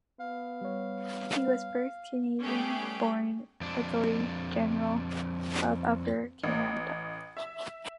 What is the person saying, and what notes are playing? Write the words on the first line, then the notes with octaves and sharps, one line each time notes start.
He was the first Canadian-born attorney general of Upper Canada.
B3 F5
G3 C#5
G3 A3 B3 C#4 G4 G#4
F2 D4
A1
E5